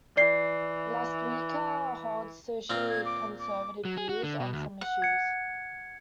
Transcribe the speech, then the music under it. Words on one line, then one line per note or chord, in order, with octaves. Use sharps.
Lastewka holds socially conservative views on some issues.
E3 D5 C7
A#2 C4 F4 F6
G#6
D6
D6
F#3
G#4
F#4
D3
B2
D2
F#5
G#6 C#7